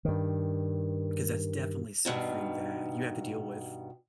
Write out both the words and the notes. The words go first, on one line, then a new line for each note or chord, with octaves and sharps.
'cause that's definitely something that you have to deal with,
G2 D#3
G2 B2 D#3